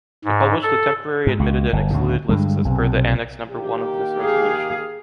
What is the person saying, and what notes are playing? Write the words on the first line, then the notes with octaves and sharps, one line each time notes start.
To publish the temporary admitted and excluded lists as per the Annex number one of this resolution.
G#2
A4
G#2
C#2
G1
D2 A2 C#3
G2 D3 G#3
B1 C3
D#3 A#3 G4
G#4 F5